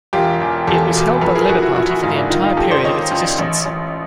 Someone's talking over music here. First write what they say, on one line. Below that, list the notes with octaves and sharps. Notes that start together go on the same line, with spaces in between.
It was held by the Labour Party for the entire period of its existence.
E1 F4 G4
E2
E2 G4 A4
B2
A#1 A4 B4
G#4 A#4
A#1 F#4 G#4
E4 F#4
A#1 E4 F#4
E4 F#4
G#2 D#4 F4
D4 E4
D#3 D#4 F4
D#4 F4
C#2 G4 A4
C5 D5
D#3 C#5 D#5
C#2
A1
A1